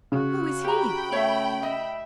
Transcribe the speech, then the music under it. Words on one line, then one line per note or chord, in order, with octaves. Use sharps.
'Who is he?
C#3 F#4
G4 G5 A#5 B5
A3 C#5 E5
D#5 E5